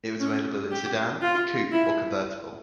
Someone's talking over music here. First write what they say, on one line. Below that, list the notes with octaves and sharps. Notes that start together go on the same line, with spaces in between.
It was available in sedan, coupe or convertible.
C#4
G4
F4
E4